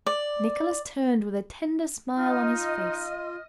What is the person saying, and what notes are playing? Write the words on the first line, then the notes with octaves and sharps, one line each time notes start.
Nicholas turned with a tender smile on his face.
D5
D#4 F4 D#5 F6